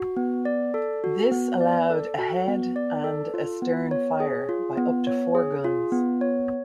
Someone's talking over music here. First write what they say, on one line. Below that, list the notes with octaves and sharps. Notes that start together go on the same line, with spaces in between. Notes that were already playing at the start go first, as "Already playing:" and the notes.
This allowed ahead and astern fire by up to four guns.
Already playing: F#4
B3
D5
A4
F#4
B3
D5
A4
F#4
B3
D5
A4
F4
B3
C#5
G#4
F4
B3
C#5
G#4
F4
B3
C#5